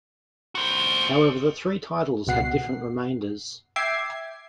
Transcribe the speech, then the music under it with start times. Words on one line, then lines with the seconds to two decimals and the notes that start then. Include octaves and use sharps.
However, the three titles had different remainders.
0.55 F#4 C5
2.27 C#2 B2 F#5 C7
3.76 E5 G5 D6 G#6 C7